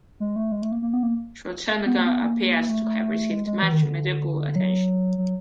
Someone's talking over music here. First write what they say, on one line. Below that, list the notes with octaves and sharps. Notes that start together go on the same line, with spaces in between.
Schwarzenegger appears to have received much medical attention.
G#3
A3
G#3
A3
A#3
A#3
B3
A#3
B3
A#3
B3
A#3
A3
A3
G#3
G#3
E3
D#3
D3
F#3
F#3